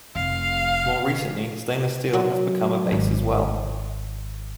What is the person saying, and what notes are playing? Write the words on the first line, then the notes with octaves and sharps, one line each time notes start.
More recently stainless steel has become a base as well.
F1 F5
F#3
G#1